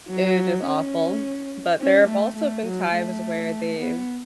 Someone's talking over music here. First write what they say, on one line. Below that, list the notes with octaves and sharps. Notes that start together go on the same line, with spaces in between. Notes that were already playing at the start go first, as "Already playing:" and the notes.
it was just awful, but there have also been times where they've
F#3
C#4
C#4
A3
A3
F#3
A3
B3